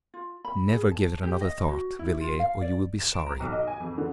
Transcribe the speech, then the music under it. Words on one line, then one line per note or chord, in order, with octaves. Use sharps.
Never give it another thought, Villiers, or you will be sorry.
F4
B5
G#4
A5
G4
D#5
F#4
E4
F4
F5
D5
E7
D7
A#5
B1
D#5
G#5
F2
D3